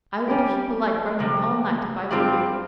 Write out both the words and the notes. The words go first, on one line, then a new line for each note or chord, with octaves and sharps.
I would keep a light burning all night if I were you.
G3 C#4 G4
F2 C3 G3
G2 G3 C4 F4 C5